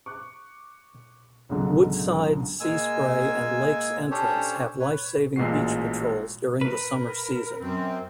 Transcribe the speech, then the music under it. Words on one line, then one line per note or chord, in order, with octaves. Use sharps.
Woodside, Seaspray and Lakes Entrance have life saving beach patrols during the summer season.
C#6 D6 F#6
C#2 G#2 B2 D3 F#3 G#3
G#3 A#3 G#5 E6
C#4 D4 G4 A4 C5 C#5
B4 C#5
A1 A#2 G#3 F#4 C7
A#4 B4
F#2 C4